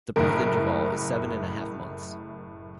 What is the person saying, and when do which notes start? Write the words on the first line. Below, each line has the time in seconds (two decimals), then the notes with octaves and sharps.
The birth interval is seven and a half months.
0.16 F#1 A2 A#4